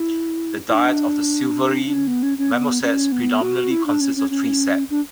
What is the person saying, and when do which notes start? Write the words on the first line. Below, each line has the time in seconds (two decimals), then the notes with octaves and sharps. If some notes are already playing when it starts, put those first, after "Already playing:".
The diet of the silvery marmosets predominantly consists of tree sap.
Already playing: E4
0.69 E4
0.74 D4
1.86 D4
1.93 C#4
2.07 B3
2.23 C#4
2.38 C#4
2.52 B3
2.82 C#4
3.12 B3
3.41 F#4
3.71 E4
3.86 D4
4.01 C#4
4.16 C#4
4.30 C#4
4.90 D4